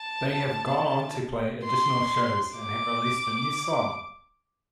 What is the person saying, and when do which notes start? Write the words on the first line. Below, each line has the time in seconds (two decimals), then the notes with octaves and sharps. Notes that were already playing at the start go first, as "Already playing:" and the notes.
They have gone on to play additional shows and have released a new song.
Already playing: A5
1.64 C6
2.58 D6